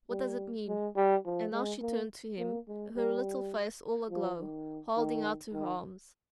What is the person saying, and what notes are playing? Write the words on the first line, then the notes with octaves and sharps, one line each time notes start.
"What does it mean?" And now she turned to him, her little face all aglow, holding out her arms....
G3
G#3
G3
F3
G#3
A#3
A#3
G#3
G3
F3
D#3
D#3
D#3